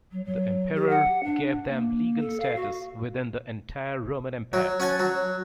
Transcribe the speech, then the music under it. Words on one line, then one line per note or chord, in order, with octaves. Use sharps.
The emperor gave them legal status within the entire Roman Empire.
F#3
F#3
G4
F#5
D4
A#3
A4
F5
F#4
F#3
C#4 F#5 G#5 A5
F#3